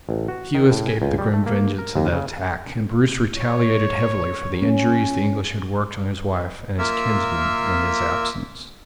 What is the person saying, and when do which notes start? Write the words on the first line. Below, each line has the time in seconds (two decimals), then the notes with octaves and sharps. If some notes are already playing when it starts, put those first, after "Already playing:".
Few escaped the grim vengeance of that attack, and Bruce retaliated heavily for the injuries the English had worked on his wife and his kinsmen in his absence.
0.09 A1
0.28 F#4
0.55 D#3
0.71 A2
0.88 G#5
1.02 C#2
1.18 G3
1.33 A3
1.46 A#3
1.78 A#4
1.96 D#2
2.12 C#3
3.38 C#5
4.62 C#4
6.79 A#3 F4 A#4 E5 E6